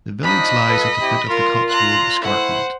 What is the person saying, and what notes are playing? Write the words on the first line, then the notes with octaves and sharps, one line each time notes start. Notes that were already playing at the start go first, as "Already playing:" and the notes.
The village lies at the foot of the Cotswold escarpment.
F3 D4 D#4 D#5 B5
F4 A4 B4
C3 E4 G4
A#2 F4 A#4 C6
A#5 F#6
A3 E4 C5 F#5